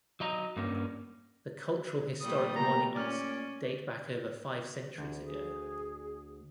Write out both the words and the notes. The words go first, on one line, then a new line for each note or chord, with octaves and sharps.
The cultural-historic monuments date back over five centuries ago.
F#3 D#5 A#5
G2 A#3 C#4
A#2 G3 A3 D#6
A#3 B3 G4 A#5
A#2 C#4 D5 F6
D2
G#4